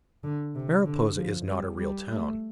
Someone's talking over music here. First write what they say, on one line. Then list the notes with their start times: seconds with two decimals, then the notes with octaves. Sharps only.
Mariposa is not a real town.
0.24 D3
0.55 C3
0.86 D3
1.17 F3
1.47 G3
1.78 G3
2.09 A3